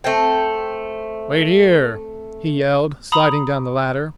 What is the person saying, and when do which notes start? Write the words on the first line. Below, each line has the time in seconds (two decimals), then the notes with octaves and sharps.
"Wait here," he yelled, sliding down the ladder.
0.04 A3 C4 G5
3.12 A#5 B5 D#6